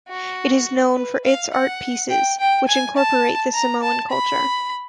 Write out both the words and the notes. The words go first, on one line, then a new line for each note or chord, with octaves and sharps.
It is known for its art pieces, which incorporate the Samoan culture.
F#4
B4
F5
F#5
G5
G5
G#5
A5
A#5
A5
B5